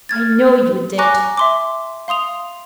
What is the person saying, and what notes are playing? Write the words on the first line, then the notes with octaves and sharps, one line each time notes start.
"I know you did."
F6 G#6 A6
G#5 A#5 C#6 D6 F#6 A#6
E5 C6 D6
F5 C6 D#6 F7